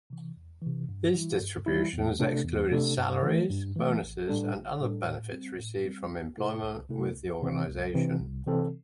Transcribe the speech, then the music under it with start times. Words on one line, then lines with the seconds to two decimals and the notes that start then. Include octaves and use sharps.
These distributions excluded salaries, bonuses, and other benefits received from employment with the organization.
0.10 C3 E3
0.36 E2
0.62 E3
0.67 C3
0.89 G2
1.14 E3 G3 E4
1.40 G2
1.66 E3 G3 E4
1.93 E2
2.19 C3 A3 D4 A4
2.45 E2
2.71 C3 A3 D4 A4
2.98 G2
3.23 E3 A3
3.49 G2
3.76 E3 A3
4.02 A1
4.28 A2 G3 D4 A4
4.54 A1
4.80 A2 G3 D4 A4
5.06 A2
5.32 G3 C4
5.58 A2
5.85 G3 C4
6.11 C2
6.37 C3 A3 E4 A4
6.63 C2
6.89 C3 A3 E4 A4
7.15 C2
7.42 C3 E3 C4
7.68 C2
7.94 C3 E3 C4
8.21 C2
8.46 C3 E3 C4 A4